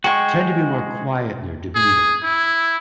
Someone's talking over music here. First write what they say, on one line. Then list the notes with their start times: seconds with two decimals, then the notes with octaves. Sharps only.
tend to be more quiet in their demeanor,
0.04 G#3 F#4 G5 C#6
1.75 G#4
2.23 E4